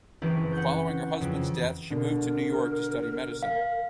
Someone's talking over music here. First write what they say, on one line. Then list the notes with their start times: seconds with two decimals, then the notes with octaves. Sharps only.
Following her husband's death she moved to New York to study medicine.
0.22 F#1 E3 C4 C#4 G4 B4
0.52 F#5 G6
1.21 F2 C#3
1.91 B2 D3 A#4
3.43 F5